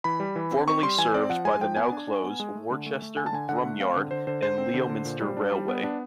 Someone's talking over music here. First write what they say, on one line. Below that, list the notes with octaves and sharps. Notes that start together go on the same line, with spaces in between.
Previously served by the now closed Worcester, Bromyard and Leominster Railway.
E3 B5
G3
E3
C4
C4 C#6
G3 C6
E3 G#5
C4 D5
F3 F#5
G#3 G#5
F3 G5
B3 G#5
D4
D4
B3
G#3
A3
D3
A3
A3
D3 G#5
A5
D3 G#5
D3 F#5
A3
C4 F5
D3
D3 C5
D3 C5
D3 C5
C4
D3
D3
A#2
G3
D4
G3
B3
D4